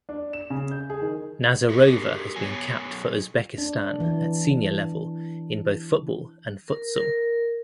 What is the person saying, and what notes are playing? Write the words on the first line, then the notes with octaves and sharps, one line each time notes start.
Nazarova has been capped for Uzbekistan at senior level in both football and futsal.
D4
E7
C#3
G6
G#4
D#3
F#4 G4 A#4
B2 F#3 B3 C#5 G#5
D4
E3
A#4
A#4